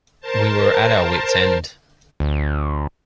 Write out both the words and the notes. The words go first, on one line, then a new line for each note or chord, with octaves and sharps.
We were at our wits' end.
A#4 C5 A5
D2